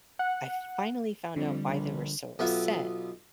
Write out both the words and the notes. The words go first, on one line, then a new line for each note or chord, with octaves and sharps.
I finally found out why they were so upset,
F#5
F2 D3 G3
A#1
B1 B3 F4 E5